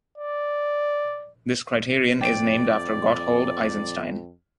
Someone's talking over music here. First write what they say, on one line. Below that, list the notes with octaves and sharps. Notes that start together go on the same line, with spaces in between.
This criterion is named after Gotthold Eisenstein.
D5
F2 D5 G5 D7